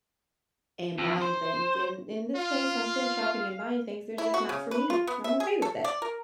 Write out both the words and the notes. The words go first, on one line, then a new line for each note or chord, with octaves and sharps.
and buying things, and in this case, I'm still shopping and buying things. They're just not for me. I'm okay with that."
F2
C5
F4 F5
E4
F#4
C#3
B4
F4
B3
E5
G#4
A4
D5
A#4